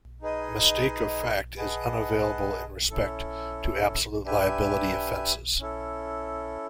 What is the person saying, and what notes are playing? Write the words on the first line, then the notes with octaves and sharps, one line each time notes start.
Mistake of fact is unavailable in respect to absolute liability offences.
D#4 G#4 B4 D#5 G#5
G#4 B4 D#5 F#5 A5
C#4 E4 A4
D4 G4 B4 E5 G#5
C#4 E4 A4